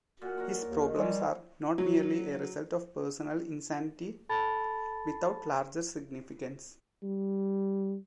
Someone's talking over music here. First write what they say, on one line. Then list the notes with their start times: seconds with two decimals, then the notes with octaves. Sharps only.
His problems are not merely a result of personal insanity, without larger significance.
0.22 A#2 F#4
0.37 A#4 C#5 F#5
0.67 D#2
0.81 D#3
0.95 G3 G#3 C#5
1.78 F#3
4.29 A4 A5 B5 A6
7.03 G3